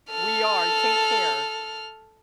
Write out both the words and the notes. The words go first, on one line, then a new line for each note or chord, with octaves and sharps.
We are, take care.
A4 F6